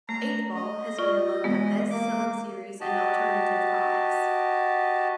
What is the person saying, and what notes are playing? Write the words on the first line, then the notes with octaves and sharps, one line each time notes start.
"Eightball" has been among the best-selling series in alternative comics.
A3 A#5
D#5
F4 D5 C#6
E3 G#3 B3
A#3 D6
F#4 G4 D#5 A5